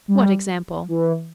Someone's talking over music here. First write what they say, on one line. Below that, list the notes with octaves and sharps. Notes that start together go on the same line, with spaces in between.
"What example?"
G3
E3